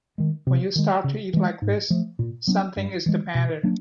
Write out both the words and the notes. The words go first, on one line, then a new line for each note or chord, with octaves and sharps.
When you start to eat like this something is the matter.
D#3 G#3
C3
D#3 G#3
C#3
E3 G#3
G#2
F3 A3
A#2
F#3 B3 D4
G2
E3 G#3
B2
F#3 A#3 D4